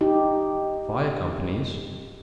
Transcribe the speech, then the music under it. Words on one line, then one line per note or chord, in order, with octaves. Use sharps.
Fire Companies.
D#4 G4